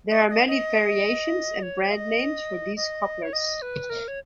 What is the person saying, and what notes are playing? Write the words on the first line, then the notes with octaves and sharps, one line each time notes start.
There are many variations and brand names for these couplers.
D#5
D#5
D#5
C#5
F5
D#5
D#5
C#5
D#5
B4
A#4
C#5